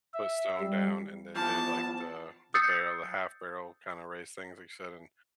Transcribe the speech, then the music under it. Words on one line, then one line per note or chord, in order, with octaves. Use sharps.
put stone down, and then did, like, the the barrel the half barrel kinda raised things like you said, and
E5
G3
E2 E3 F3 A5
D#6 E6 G6 A6 C7 C#7